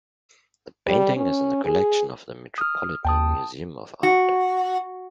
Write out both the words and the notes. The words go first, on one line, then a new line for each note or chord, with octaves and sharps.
The painting is in the collection of the Metropolitan Museum of Art.
G3
C#4
G#4
D#6 F6
D#2 G5 A5 D#6
F#4